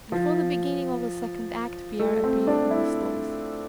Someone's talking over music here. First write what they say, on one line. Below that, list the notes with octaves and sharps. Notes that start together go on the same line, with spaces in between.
Before the beginning of the second act Pierre appeared in the stalls.
F3
A3
C4
D4
E4